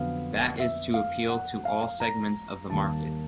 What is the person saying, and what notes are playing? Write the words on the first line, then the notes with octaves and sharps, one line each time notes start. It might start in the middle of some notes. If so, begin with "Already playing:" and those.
That is to appeal to all segments of the market.
Already playing: F2 D3 F#3 B3 F5
E5
F5
F#5
F5
A#5
D#2 D#3 G3 A#3 A5